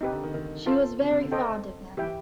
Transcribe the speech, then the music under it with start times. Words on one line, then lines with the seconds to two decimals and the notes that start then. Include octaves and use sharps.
She was very fond of them.
0.01 C3 D#4 G4 B4
0.12 D3
0.23 D#3
0.34 D#3
0.66 F4 A4 C5 F5
0.99 C3
1.10 C3
1.21 D3
1.32 A4 C5 D#5 G5
1.97 E3 G4 B4 E5 G5